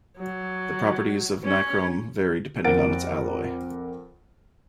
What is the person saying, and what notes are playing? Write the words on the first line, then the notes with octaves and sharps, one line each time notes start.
The properties of nichrome vary depending on its alloy.
F#3
C#4
F2 A#4 F#5 A6 D7